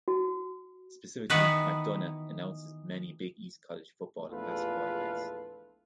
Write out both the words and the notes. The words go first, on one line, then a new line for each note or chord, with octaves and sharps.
Specifically, McDonough announces many Big East college football and basketball events.
F#4
D#3 E3 B3 F#4 B4
A#1 E2 A3 F4 A4 B4